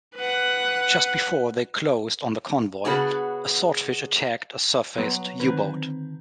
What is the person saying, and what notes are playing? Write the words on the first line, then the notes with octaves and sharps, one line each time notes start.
Just before they closed on the convoy a Swordfish attacked a surfaced U-boat.
B4 F#5
C#3 B3 D4 F#4 G#4
F#3 B3
D3 D#3 C4 B4